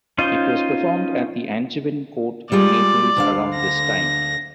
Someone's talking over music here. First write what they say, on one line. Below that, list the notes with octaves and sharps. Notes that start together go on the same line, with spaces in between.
It was performed at the Angevin Court in Naples around this time.
C#4 D#4 F4 C5 D#5
G3 G#3 F4 D5
D2 D3 F5
A#6